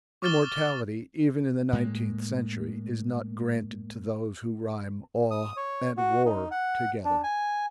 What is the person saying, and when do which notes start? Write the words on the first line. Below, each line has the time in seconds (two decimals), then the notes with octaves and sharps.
Immortality, even in the nineteenth century, is not granted to those who rhyme 'awe' and 'war' together.
0.22 C#6 D6 F6 A6 E7 G7
1.73 A2 G#3 A#3
5.31 D#6
5.57 C#5
5.98 F#4
6.26 D#4
6.51 F#5
7.05 D4
7.24 G#5